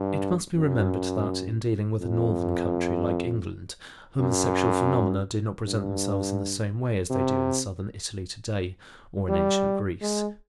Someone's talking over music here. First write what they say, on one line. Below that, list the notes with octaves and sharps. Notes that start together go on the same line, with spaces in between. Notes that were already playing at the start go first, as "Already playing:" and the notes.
It must be remembered that, in dealing with a northern country like England, homosexual phenomena do not present themselves in the same way as they do in southern Italy today, or in ancient Greece.
Already playing: G2
F#2
F2
F#2
G2
C3
G3
G#3